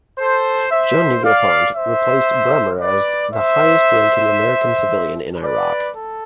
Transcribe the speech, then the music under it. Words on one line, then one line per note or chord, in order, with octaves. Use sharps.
John Negroponte replaced Bremer as the highest-ranking American civilian in Iraq.
A4 C5
C5 E5
D5 F5
C5 E5
B4 D5
C5 E5
B4 D5
A4